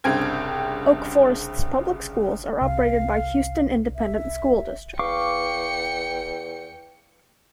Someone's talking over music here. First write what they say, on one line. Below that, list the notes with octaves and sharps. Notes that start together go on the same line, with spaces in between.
Oak Forest's public schools are operated by Houston Independent School District.
C2 G2 C#3 C4 G5 G#6
C2 C3 F5
E5
E2 F5 G5 C#6 D6 C#7